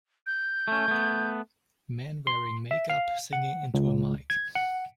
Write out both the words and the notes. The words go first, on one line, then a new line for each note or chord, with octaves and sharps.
Man wearing makeup singing into a mic.
G6
A3 C#4
A3 B3
C6
E5
F5
F#5
C#2
G#6
F#5